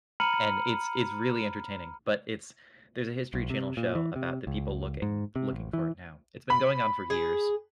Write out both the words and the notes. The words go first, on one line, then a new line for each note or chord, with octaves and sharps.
And it's it's really entertaining, but it's there's a History Channel show about the people looking looking for it now. It's been going on for years,
A#5 B5 F6 C#7 D#7 F#7
B1
C3
A#2
E3
C3
C#2
G#2
C3
A1
E3
B5
G#4